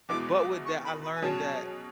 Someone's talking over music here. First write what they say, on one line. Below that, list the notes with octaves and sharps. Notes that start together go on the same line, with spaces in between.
But with that, I learned that
E2 B2 G#3 B3 E4 D6
D6
C#6
B5
B5
G#5
B2 F#3 C#4 G#4 C#5 A5